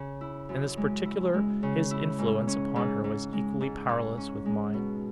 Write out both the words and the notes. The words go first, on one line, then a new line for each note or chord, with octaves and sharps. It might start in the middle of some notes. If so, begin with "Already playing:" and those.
In this particular, his influence upon her was equally powerless with mine.
Already playing: C#3
E4
F#2
G#3
E4
G#3
C#3
E4
G#2
C#4
G#2
G#2
G#3
G#2
G#2
C#4
G#3
B2